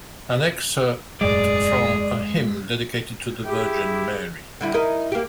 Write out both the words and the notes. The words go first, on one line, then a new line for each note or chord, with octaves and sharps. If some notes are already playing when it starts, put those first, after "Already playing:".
An excerpt from a hymn dedicated to the Virgin Mary.
E1 F#2 A2 G#3 G#4 D5
E4 G4 G#4
D3 G3 E4
D#4 E4 A#4
A#3 G4